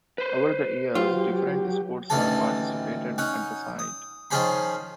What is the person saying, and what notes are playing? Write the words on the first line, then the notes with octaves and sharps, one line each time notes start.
Over the years different sports have participated at the site.
B4 C5
F#3 F4 G4
A1 D2 D#3 E3 A4 A5
C#4 D#4 F#5
D#6
D#3 F3 C#4 G#4 C5 B5